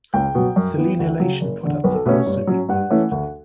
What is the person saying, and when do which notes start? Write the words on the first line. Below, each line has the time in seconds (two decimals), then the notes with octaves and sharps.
Selenilation products have also been used.
0.14 C#2 G5
0.35 B2 F#3
0.56 F#2
0.77 E3 B3
0.99 D2
1.20 C#3 F#3
1.41 F#1
1.63 E2 D3
1.84 B1 B4
1.94 A4
2.05 B2 A3 C#4 B4
2.16 C#5
2.26 G2
2.47 F#3 C#4
2.69 G2 F#5
2.90 E3 A3 C#4
3.11 D2